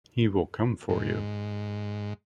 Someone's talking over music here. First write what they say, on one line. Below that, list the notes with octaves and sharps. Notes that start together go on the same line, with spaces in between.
He will come for you.
G#2